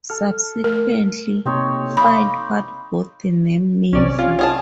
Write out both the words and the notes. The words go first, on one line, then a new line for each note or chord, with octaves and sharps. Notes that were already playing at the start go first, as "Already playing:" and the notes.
Subsequently, FindWhat bought the name Miva.
A4 A5 F6
A3 A#4
C3 A#3 C4 D#4 C#5
D#4 F5 B5 D6
B1 C3 C#4 D5
C#4 F4
C#4 G#4 A5